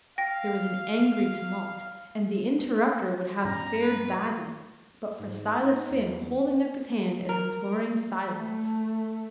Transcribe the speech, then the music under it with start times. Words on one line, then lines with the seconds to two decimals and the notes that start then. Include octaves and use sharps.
There was an angry tumult, and the interrupter would have fared badly, but for Silas Finn holding up his hand and imploring silence.
0.18 F5 G5 A#6
3.44 G2 B2 C#4 A#5
3.80 B4
5.20 G#2
5.65 D#4
5.91 E2
7.29 A#4
8.28 A3